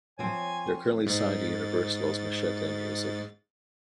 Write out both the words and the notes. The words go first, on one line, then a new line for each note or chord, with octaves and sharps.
They are currently signed to Universal's Machete Music.
F3 C4 C#5 G#5
G#2 A6